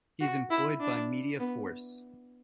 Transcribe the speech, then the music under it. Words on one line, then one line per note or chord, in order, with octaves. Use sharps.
He is employed by Media Force.
F#4
E4
D4
B3